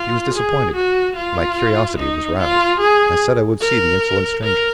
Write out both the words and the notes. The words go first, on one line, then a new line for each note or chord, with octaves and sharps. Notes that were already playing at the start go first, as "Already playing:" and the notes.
He was disappointed; my curiosity was roused; I said I would see the insolent stranger.
Already playing: F4
G#4
F#4
F4
D#4
F4
G#4
A#4
A#4